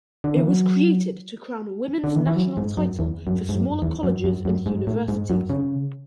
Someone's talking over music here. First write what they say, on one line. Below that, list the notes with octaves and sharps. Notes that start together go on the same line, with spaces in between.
It was created to crown a women's national title for smaller colleges and universities.
D3
E3
F#3
D3
E3
E3
F#3
G#2
F#2
E2
F#2
G#2
F#2
E2
F#2
F#2
F#2
G#2
A2
G#2
F#2
C#3